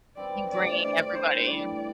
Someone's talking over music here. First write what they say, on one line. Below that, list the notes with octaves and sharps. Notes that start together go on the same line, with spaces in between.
you bringing everybody.
G3 C4 G4 B4 D5
C3 E3 A3 D4 D5
G3 D4 G4 D5
D3 A3 E4 C5
A2 E3 G3 D5